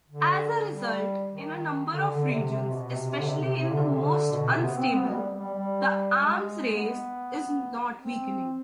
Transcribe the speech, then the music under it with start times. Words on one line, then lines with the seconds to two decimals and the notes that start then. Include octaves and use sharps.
As a result, in a number of regions, especially in the most unstable, the arms race is not weakening.
0.08 D3
0.68 G3
1.29 D#3
1.90 D3
2.10 D3
2.30 C3
2.50 C3
2.71 B2
2.90 C3
3.11 C3
3.20 D3
3.27 C3
3.41 C3
3.57 C3
3.71 D3
3.84 C3
3.97 D3
4.32 B2
4.48 C3
4.62 B3
4.78 C4
4.93 B3
5.09 G3
5.39 G3
5.54 G3
6.15 G#3
6.69 G#3
6.75 B3
7.97 C4